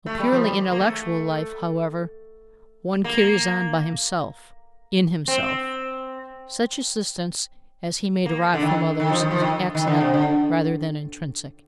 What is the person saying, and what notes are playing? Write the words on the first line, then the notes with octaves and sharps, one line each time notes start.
A purely intellectual life, however, one carries on by himself, in himself; such assistance as he may derive from others is accidental, rather than intrinsic.
A3
G3
F3
G3
A#3
A3
A#3
C4
A#3
D3
D#3
D#3
F3
D#3
F3
D#3
D#3
D3
C3
D3